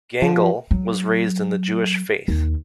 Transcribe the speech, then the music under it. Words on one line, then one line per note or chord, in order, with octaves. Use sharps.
Gangel was raised in the Jewish faith.
F3
F#3
D#2